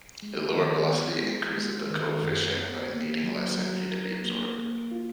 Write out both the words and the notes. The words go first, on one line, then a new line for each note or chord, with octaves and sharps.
A lower velocity increases the coefficient by needing less energy to be absorbed.
G#3
D#3
B3
G#3
G#3
D#3
F#2
B3
A#3
F#3
F#3
A#4
A#3
A#3
F4